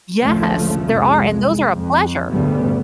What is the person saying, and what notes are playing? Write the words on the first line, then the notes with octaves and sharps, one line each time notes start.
Yes, there are, and those are a pleasure.
A1 D2 C#3 F3 A3
C2 F2 G#3
F2
D2 G2 A#2 C#3 G3 B3